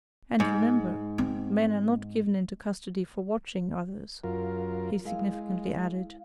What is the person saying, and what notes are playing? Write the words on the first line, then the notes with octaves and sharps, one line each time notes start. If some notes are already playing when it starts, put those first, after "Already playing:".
'And remember, men are not given into custody for watching others,' he significantly added.
G#2
C4
F#2 F4 A#4
G#3 E4 F5